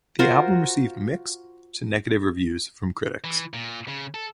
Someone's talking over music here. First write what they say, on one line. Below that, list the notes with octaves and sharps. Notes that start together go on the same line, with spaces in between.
The album received mixed to negative reviews from critics.
F4 F#4 A#4 C5
E3
A#2
C#3
A4